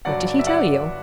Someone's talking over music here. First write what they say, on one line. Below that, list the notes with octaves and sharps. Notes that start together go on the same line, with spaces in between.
"What did he tell you?"
G1 G2 F#3 D5 F#5
D5
E5
D5 F#5